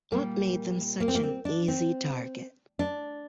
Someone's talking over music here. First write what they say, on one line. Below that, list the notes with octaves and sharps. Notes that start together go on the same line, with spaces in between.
What made them such an easy target?
A#2 G3 A#3
A#3
C4
A#3
C4
D4
C4
D4